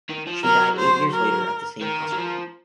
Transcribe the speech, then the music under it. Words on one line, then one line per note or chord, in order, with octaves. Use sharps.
She died eight years later at the same hospital.
D#3
F3
F#3 A#4
C5
A#4
D#3 A#4
F#3
F3